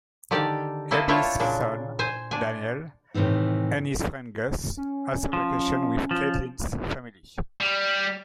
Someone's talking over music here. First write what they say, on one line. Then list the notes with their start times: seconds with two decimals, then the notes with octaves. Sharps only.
Abby's son, Daniel, and his friend, Gus, also vacation with Caitlin's family.
0.31 D3 D#3 G4 D5 A5
0.91 A#3 E4 A4 C5 D#5 F#5
1.08 D4 E4 F4 C#5 G5 A5
1.40 A#2 C#3 D4
1.99 C5 G#5
2.31 D4 G#5
3.14 A2 C3 D#3 E3 D#4
4.77 C#4
5.33 F3
6.11 F3
7.60 G3